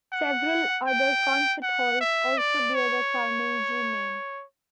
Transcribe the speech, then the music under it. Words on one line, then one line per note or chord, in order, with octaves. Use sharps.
Several other concert halls also bear the Carnegie name.
F#5
G5
F#5
E5
D5
C#5